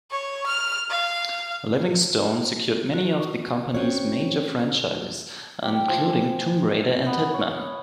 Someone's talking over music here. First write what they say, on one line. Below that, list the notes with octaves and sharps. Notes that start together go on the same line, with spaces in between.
Livingstone secured many of the company's major franchises, including "Tomb Raider" and "Hitman".
C#5
F6
F5
F#4
D#4 C#6
C4 C#4 F#4 C#5
G4
F3
G#5
B3
C#5